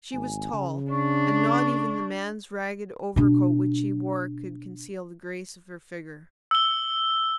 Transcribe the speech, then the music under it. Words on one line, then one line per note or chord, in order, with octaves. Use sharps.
She was tall, and not even the man's ragged overcoat which she wore could conceal the grace of her figure.
G#1 G#5
C#3
D4 C#6
B2 D4
E6 G7